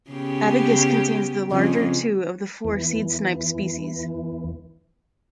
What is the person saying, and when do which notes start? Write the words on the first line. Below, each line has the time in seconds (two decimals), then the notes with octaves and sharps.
Attagis contains the larger two of the four seedsnipe species.
0.11 C#3 B3 G4
1.51 F2 C#3
2.65 E2 E3